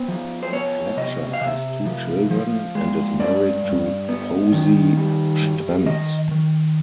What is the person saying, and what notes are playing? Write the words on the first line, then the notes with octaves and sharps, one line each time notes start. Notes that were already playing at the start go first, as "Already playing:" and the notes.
Fletcher has two children and is married to Posie Strenz.
Already playing: B3 C5
F3
C5
B3 C#5
C3 D#5
F5
C3 E5
F3
F3
G#3
G2 D5
G2
B3
D#3
G3
G2
D#3 D#5
D#3